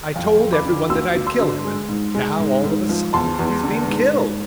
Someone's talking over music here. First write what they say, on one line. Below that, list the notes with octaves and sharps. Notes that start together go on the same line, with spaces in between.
I told every one that I'd kill him, and now, all of a sudden, he's been killed.
F2
F2
B5 D6
D3
D2 C6 E6
D2
C6 E6
D3
G#3
G#2
G#3
G#2
G#2
F3
E2 A5 C6
E2
D3
G#2
G#2